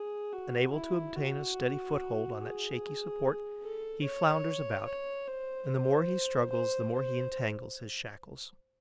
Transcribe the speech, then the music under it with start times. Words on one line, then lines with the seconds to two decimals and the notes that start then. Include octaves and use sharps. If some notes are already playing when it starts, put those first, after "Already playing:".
Unable to obtain a steady foothold on that shaky support, he flounders about; and the more he struggles the more he entangles his shackles.
Already playing: G#4
0.33 F#4
0.73 E4
1.15 F#4
2.38 G#4
3.62 A4
4.03 C#5
4.85 C#5
5.27 C5
5.68 C5
6.50 C5
6.92 C5